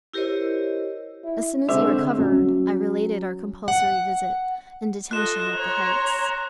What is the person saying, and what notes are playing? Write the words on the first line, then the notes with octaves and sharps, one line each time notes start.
As soon as he recovered, I related our compulsory visit, and detention at the Heights.
E4 G4 A#4 C5 C#5 D#5
E4
D3 G#3 C4 D4 E5
F#3 C#4
F#5
F4 A4 D#5 F#6 E7
C#5 A#5 C6